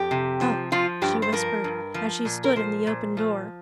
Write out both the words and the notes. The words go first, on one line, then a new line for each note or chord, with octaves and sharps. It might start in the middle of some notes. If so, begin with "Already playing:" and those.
"Oh!" she whispered, as she stood in the open door.
Already playing: F2 G4
C3
F3
F3 F4
G2 G4
C5
F3 A#4
G2
F3
A#2
A#4
F3 C5
A#2
F3